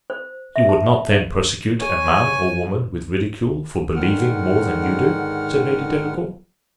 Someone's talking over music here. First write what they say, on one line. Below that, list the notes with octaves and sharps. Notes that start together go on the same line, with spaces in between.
"You would not then persecute a man or woman with ridicule for believing more than you do?" said Lady Delacour.
C5
E5
A5
C#5 G#5
G#2 D3 D#3 F#5 F6